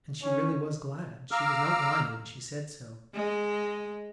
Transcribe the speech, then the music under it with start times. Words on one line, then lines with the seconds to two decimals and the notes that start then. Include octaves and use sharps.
And she really was glad, she was not lying when she said so.
0.23 C#4
1.31 F5 A#5 D6 E6 F6
3.14 G#3